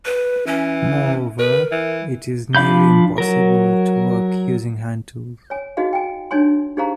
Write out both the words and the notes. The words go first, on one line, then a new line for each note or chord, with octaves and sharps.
Moreover, it is nearly impossible to work using hand tools.
B4
E3 C#4
A#4 B4
E3
F3 D4 F5 B5 G6
F#3 A#4
C#5 G#5
D#4 F#4 G#4 D#5 F5
G5 G#5
D4 D#4 C#5 G#5 C6
D#4 G4 G#4 C5 F5 A#5